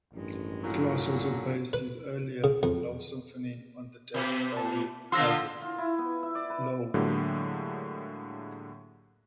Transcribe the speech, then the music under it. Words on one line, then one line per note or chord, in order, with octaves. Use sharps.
Glass also based his earlier Low Symphony on the David Bowie album, "Low".
A1 G2 D#3 G#3
A#2 D3 F#3 E4
B4
C#3
F2
B2
A5
D3 F3 F4 C6 E6 A#6
F4
E4
B3
E5
D5
B4
A2 D3 F#3 G#3 A#3 G4